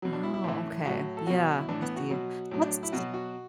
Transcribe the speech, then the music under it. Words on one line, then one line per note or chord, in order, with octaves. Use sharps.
Oh okay, yeah, I see it. Let's
B2 F#3
D4
E4
E4
A2 E3
A2 F#3 F#4
A4
B2 F#3 F#4
E4
A2 E3 D4
B3
F#4
B2 F#3
A2 F#3
D4
E4
B2 F#3 F#4
F#4